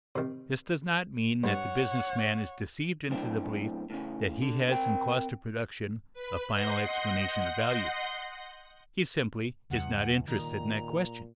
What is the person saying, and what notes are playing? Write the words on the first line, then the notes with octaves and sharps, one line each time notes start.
This does not mean that the business man is deceived into the belief that he has in cost of production a final explanation of value. He simply is not interested in that question.
C3 D#3
G2 C#5 F#5
B1 F#2 A2 C4 D4
A2 C#3 C#4
D3
C4 A#4 C5 G5
B4
D#5 F#5 C6 G6 A#6 C7
E2 C#3 F3 G3 F#5
A#2 D#3 A#5